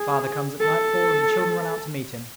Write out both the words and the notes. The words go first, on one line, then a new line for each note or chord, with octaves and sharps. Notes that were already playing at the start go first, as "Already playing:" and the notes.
The father comes at nightfall, and the children run out to meet him.
Already playing: G#4
A4